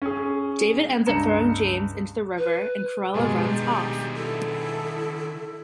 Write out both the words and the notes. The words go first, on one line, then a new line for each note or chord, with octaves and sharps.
David ends up throwing James into the River and Cruella runs off.
C#4 G#4
C#2 G2 A#5 C#7 E7
B4
B2 D#3 G#3 D4 G4
E4 A4